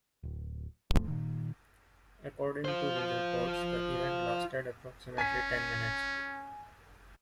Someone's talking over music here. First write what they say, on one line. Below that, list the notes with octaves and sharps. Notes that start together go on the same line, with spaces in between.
According to these reports, the event lasted approximately ten minutes.
D1
C2 F2 F3 A3
A#2 D#3
F4 C5
C#4 G#5 B6